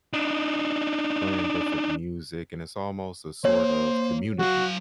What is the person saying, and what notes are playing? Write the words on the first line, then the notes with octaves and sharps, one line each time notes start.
playing different music, and it's almost a sort of community.
D4 D#4
A#3 C5 C#5
F#3 F#4 F5